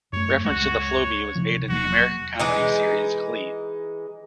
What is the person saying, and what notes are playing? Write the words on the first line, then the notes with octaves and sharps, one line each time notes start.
Reference to the Flowbee was made in the American comedy series Glee.
F#2 A3 C#5
C#2 G#3 F#4
C#5
C3 F3
E1 F#3 A#3 F#4
E3 G#3 D#4